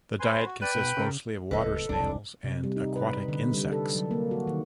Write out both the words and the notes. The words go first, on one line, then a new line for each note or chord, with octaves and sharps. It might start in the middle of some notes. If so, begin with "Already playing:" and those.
The diet consists mostly of water snails and aquatic insects.
B4 C5 G#5 C6
F#4
B4 D5 G5 B5
G#2 B2
C#3 A4 A#4
D1 C#2 A4 B4 D#5
E1 C2 D4
C3
G3
D#4
B4
D3
G3
A4
F#3
A#3
F#4
D#3